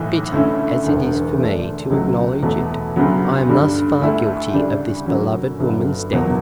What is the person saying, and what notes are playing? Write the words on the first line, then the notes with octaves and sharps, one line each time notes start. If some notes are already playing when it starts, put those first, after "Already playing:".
Bitter as it is for me to acknowledge it, I am thus far guilty of this beloved woman's death.
Already playing: B1 A2 E3
D2 D3 A3 C#4 E4
E1 D2 D3
D2 D3 A3 D4
C#2 C#3 F#3 A3
E2 B2 A3
D2 C#3 F#3 B3
G2 D3 G3
D2 D3 A3 E4
D2 C#3 G3 D4
F#2 D3 F#3 C#4
G1 G2 D3 F#3
F#1 E2 B2 F#3